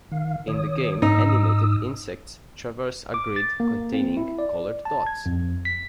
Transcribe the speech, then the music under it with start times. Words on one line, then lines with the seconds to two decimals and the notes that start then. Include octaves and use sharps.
In the game animated insects traverse a grid containing colored dots.
0.11 D#3 F5
0.48 D#3 C#5 D#6
1.02 G#2 D#4 D#6 E6
3.14 D6
3.36 A6
3.60 A#3
3.93 C4
4.17 E4
4.39 D5
4.85 A5
5.07 G#6
5.26 F2
5.65 B6